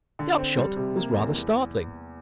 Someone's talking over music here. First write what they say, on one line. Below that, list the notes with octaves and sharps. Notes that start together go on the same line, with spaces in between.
The upshot was rather startling.
D3
C4
G3
C3
A#3
E2
E2